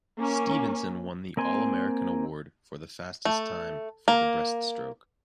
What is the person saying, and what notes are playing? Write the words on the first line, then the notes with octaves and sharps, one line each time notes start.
Stevenson won the all American award for fastest time for the breast stroke.
A#3 C#4
A#3 C4 G#5 C6
A3
A#3